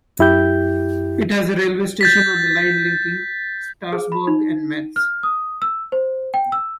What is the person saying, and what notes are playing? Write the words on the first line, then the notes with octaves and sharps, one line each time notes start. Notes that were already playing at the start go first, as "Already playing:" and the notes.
It has a railway station on the line linking Strasbourg and Metz.
F#2 E4 G4 G6
G6 A6 B6
G#4
B5
D#4
F6
D#6
E6
C5
G5
E6